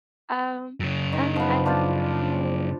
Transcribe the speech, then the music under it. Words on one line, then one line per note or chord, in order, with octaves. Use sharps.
um, and I I think my
F#2 C#3
D#3
F3 B3
D4 F4 C5